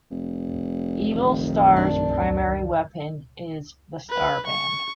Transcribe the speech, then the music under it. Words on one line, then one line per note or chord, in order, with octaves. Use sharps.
Evil Star's primary weapon is the "Starband".
F1
A#1 F#2 D#3
D4
B4
C#6